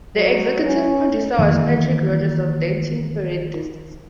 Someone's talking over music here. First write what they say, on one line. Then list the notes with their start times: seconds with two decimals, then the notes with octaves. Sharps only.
The executive producer was Patrick Rodgers of Dancing Ferret Discs.
0.16 F#3
0.66 C#4
1.39 D#3 E3 G3 A#3